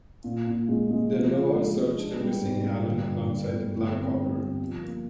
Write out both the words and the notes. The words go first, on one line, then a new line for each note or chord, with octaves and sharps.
The Noah search the missing Allen alongside the Black Order.
A#2
A#2
G#3
G#3
F3
F3
G#3
G#3
D4
G3
G#2
G3
D3
G2
G2
G1
G2
C4
G3
G3
F3
A#3